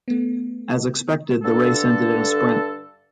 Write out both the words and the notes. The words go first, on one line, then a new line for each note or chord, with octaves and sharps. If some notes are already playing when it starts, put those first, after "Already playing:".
As expected the race ended in a sprint.
A3 B3
G2 D3 A4